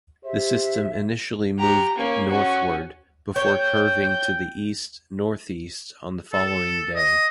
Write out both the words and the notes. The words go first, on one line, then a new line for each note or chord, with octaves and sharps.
The system initially moved northward, before curving to the east-northeast on the following day.
G4 C5 E5
G4 A#5
A#3 C#4
C#4 F#4
C#5 G5 G6
A4
D#5